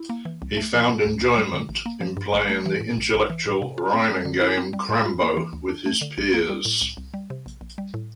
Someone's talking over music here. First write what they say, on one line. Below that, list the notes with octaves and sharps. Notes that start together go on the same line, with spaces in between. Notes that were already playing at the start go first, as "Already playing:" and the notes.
He found enjoyment in playing the intellectual rhyming game crambo with his peers.
Already playing: E4
A#3
E3
C2
A3
F3
A#2
D2
D2
G3
D3
A1
A#3
F3
G2
A1
A3
E3
A2
A#1
A#1
E3
A2
C3
F4
C4
G3
D3
E4
C4
G3
A2
F4
A#3
E3
D2
D4
A3
D3
A#1
A#3
G3
A2
C2
C2
G3
C3
A#1
A#1
G3
A2